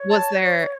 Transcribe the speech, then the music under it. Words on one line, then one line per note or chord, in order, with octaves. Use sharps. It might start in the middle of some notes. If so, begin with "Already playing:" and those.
Was there
Already playing: C#5
A5